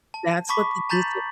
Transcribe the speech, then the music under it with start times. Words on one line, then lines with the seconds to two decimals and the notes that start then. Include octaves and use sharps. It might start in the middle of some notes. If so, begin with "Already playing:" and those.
that's what the DC
0.14 A5
0.49 A5 B5 C#6 D6 B6
0.89 A5 A#5 G6 A6 B6 F#7